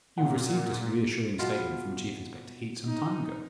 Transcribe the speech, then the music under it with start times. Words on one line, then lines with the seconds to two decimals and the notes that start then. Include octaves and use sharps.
You have received a reassuring statement from Chief Inspector Heat some time ago.
0.18 A#2 F#5
1.39 B2 F4
2.86 D#4